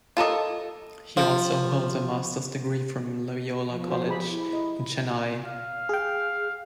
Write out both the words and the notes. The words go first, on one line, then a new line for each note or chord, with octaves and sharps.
He also holds a master's degree from Loyola College in Chennai.
F4 A4 A#4 D#5
F3
F3
F#4 C5
G4 G#4 B5
E4
D#5
F5
G#4 G5